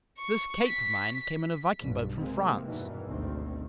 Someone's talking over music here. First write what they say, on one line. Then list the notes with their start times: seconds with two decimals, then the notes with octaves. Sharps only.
This cape of mine came in a viking boat from France.
0.19 C#6
0.67 B6
1.79 B1 G2
2.18 C3 G#3 A#3 C4
2.63 E2 G2 B2 D#3 E3
3.07 G#1 D2 B2 D#3 C4